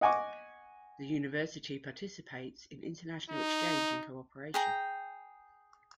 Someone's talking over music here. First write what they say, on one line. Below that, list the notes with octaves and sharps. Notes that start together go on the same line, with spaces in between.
The university participates in international exchange and cooperation.
D#5 F#5 G#5 C#6 D6
D#4
G#4 G5 A#5